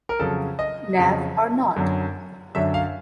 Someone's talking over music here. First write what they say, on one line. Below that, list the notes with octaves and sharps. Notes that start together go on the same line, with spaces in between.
Knave or Not?
A#4
F2 C#3 F#3 A4
D#5
F2 C#3 F#3
F#2 D3 F#3
F#2 D3 F#3 E5
F5